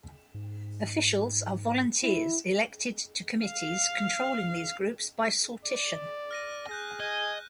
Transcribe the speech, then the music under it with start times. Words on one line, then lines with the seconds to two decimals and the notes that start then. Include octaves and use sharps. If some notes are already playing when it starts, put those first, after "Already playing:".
Officials are volunteers elected to committees controlling these groups by sortition.
0.34 G#2
2.03 E4
3.44 F5
5.64 D5
6.31 F6 A#6 D#7
6.69 G#4 F#6 G6 A#6
7.00 D#5 G#5